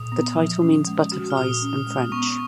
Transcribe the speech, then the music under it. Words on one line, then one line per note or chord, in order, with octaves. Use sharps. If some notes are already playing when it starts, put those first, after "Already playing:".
The title means 'butterflies' in French.
Already playing: A#2 D#6
B3
F3
C#4
G#3
F#4
F6
A#2 D#6
C#4
G#3
B3 C#6